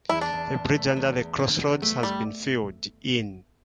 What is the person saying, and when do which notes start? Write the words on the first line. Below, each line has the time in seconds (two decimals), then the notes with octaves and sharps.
The bridge under the crossroads has been filled in.
0.09 E2 E4
0.21 D4
0.33 E2
0.54 E2
0.75 A3
0.96 E2
1.17 E2
1.39 D3
1.60 E2
1.82 A3
2.03 G3